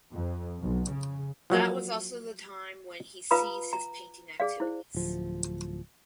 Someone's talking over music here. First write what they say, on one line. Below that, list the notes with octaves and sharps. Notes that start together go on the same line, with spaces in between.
That was also the time when he seized his painting activities.
F2
B1
C#3
F3 F#3 A#3
F4 B4 F5 A#5 B5 D#6
A#5
G#4 D5 F5
E4 C5
D1 F3